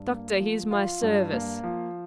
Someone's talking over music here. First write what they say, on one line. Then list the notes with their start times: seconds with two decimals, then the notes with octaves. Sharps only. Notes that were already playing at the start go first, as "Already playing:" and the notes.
Doctor, here's my service.
Already playing: G2
0.10 A#3
0.40 F3
0.71 F4
1.02 G2
1.32 A#3
1.63 F3